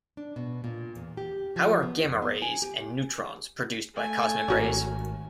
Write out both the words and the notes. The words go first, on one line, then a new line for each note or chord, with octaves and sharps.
How are gamma rays and neutrons produced by cosmic rays?
D4
B2
A#2
E2
G4
F3
B3
F2
B3
G#5
G4
A3 G#5
G#1 C#4 F#4 A#4